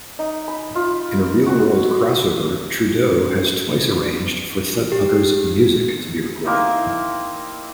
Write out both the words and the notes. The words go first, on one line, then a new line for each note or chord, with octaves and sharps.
In a real-world crossover, Trudeau has twice arranged for Thudpucker's "music" to be recorded.
D#4
B5
F4
F#4
G4
A#3 C4 D#4 E4